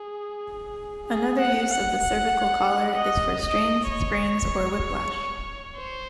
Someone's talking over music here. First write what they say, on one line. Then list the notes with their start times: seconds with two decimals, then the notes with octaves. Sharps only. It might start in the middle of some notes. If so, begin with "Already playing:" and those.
Another use of the cervical collar is for strains, sprains or whiplash.
Already playing: G#4
1.08 G#4
1.39 F#5
1.71 F#5
2.02 F#5
2.95 D#5
3.43 D#5
3.89 C#5
5.77 C5